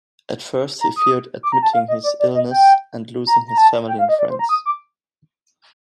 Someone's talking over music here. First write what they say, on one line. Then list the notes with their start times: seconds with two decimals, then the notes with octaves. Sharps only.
At first he feared admitting his illness and losing his family and friends.
0.81 A#5
0.96 D#6
1.43 D6
1.52 A#5
1.62 A5
1.73 F5
1.88 D#5
2.03 D5
2.20 D5
2.35 D#5
2.50 G5
3.27 A#5
3.48 A#5
3.58 A5
3.88 G5
3.99 F5
4.09 D#5
4.19 D5
4.30 C5
4.39 A#5
4.49 D#6
4.66 D6